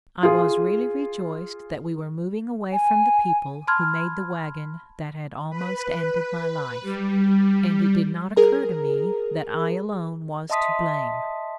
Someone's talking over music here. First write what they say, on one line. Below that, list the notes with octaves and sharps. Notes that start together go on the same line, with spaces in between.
I was really rejoiced that we were moving away from the people who made the wagon that had almost ended my life, and it did not occur to me that I alone was to blame.
F4 G#4
G#5
A5 B5 C6 F6 G#6
B4
G3
G#4 A#4 A#5
D#5 E5 A5 C6 D#6 B6